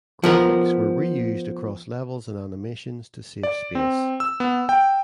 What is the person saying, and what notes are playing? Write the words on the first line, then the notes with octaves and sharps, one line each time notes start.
Graphics were reused across levels and animations to save space.
F3 B3 A#4
D5
C4
E6
B3
G5